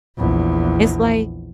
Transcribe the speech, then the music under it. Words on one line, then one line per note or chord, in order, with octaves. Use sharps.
It's, like
A#1 E2